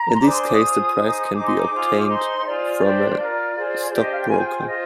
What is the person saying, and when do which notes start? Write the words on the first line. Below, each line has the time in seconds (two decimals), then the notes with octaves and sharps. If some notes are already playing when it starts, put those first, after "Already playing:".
In this case, the price can be obtained from a stockbroker.
Already playing: A#5
0.15 C6
0.23 D4 G#4 C5 D6
0.32 C6
0.42 D6
0.51 D#6
0.60 F4 G#4 C5
0.97 D#4 G#4 C5
1.34 D#4 G#4 C5 D6
1.46 C6
1.57 D6
1.71 F4 G#4 C5
2.08 D#4 G#4 C5 C6
2.45 F4 G#4 C5 D5
2.82 D4 G4 C5
3.19 F4 A#4 D5
3.56 F4 G#4 C5
3.92 D4 G4 C5 D5
4.02 D#5
4.12 F5
4.20 G5
4.29 F4 G#4 C5 G#5
4.38 G5
4.48 G#5
4.58 G5
4.66 F4 C5 D#5